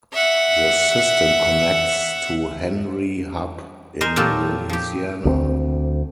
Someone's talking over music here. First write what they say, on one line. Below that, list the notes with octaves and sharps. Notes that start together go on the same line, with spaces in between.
The system connects to Henry Hub in Louisiana.
E5 F#5
A#4 C5 D#5 G#5
A#2 F#3 C4 F4 G4 A4
F3 G4
D2 A3 C4